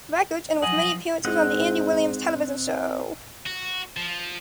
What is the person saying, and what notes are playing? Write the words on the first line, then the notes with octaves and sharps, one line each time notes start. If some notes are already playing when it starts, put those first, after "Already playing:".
Records and with many appearances on the Andy Williams television show.
F3 F#3 D#5 F#5 G#5 F#7
G#2 C4 D#5 F#5
F#4
F3